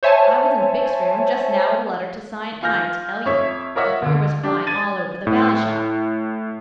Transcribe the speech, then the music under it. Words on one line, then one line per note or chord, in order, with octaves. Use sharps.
I was in Bick's room just now with a letter to sign, and I tell you, the fur was flying all over the bally shop.
C5 C#5 E5 G#5 A5
F4 G#5 F6 G6 A#6
F2 C#5 E5
F4 A#4 C#5 D#5 E5 F#5
D2 D3
D4 G4
G#6 A6 D#7
A2